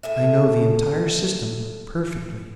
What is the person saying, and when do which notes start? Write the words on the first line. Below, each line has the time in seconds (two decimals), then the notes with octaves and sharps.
I know the entire system perfectly.
0.03 A2 G#4 E5